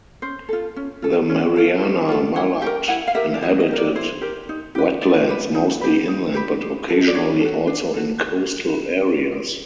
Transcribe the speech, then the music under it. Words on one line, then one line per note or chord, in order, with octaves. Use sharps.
The Mariana mallard inhabited wetlands, mostly inland but occasionally also in coastal areas.
C#4 C5
F4 A4
C#4
F4 A4
C#4
F4 A4
C#4
F4 A4
E4 F#5
G4 A#4 G5
E4 F#5
F5
G4 A#4 E5
D5
E4 D#5
D#5
G4 A#4
D5
E4 C5
G4 A#4
D#4
G4 B4
D#4 D5
G4 B4
D#4
G4 B4
D#4
G4 B4
D4
F#4 A4
D#5
D5
D4 C#5
F#4 A4
D4
F#4 A4